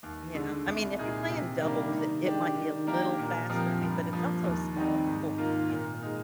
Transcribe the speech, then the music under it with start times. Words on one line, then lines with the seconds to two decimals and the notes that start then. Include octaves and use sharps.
Yeah, I mean, if you're playing doubles, it it might be a little faster, I mean, but it's also a smaller court, you know?
0.03 D#2
0.35 D3 G#3
0.67 C2
0.98 A#2 G#3 D#4 G#4
1.30 C3
1.61 D#3 G3 A#3 D4
1.92 D#3
2.24 G#3 D4 G4
2.55 D#3
2.87 A#3 D4 G4 A#4
3.19 A#2
3.50 F3 C4 G4 A#4
3.81 G2
4.13 F3 A#3
4.44 D#2
4.75 D#3 G3 C4 D#4
5.06 G#2
5.38 D#3 A#3 F4
5.69 A#2
6.02 G#3 D#4